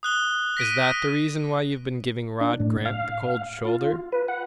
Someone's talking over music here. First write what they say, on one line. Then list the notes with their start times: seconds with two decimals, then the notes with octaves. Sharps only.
"Is that the reason why you've been giving Rod Grant the cold shoulder?"
0.03 D#6 F#6 G7
0.57 A#6 B6 D7 D#7
2.41 D4
2.60 A2
2.85 F5
3.65 F4
4.12 B4
4.28 F#5